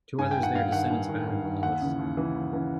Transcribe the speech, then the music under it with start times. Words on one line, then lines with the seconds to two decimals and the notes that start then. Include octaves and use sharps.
To others they are descendants of Adam and Lilith.
0.19 G2 G#5
0.31 G5
0.38 D#3
0.43 F#5
0.55 G2 F5
0.72 D#3 F#5
0.90 G2
1.09 D#3
1.27 G2
1.45 D#3
1.63 D#2 F#5
1.81 C#3 E3
1.99 D#2
2.17 C#3 E3
2.35 D#2
2.53 C#3 E3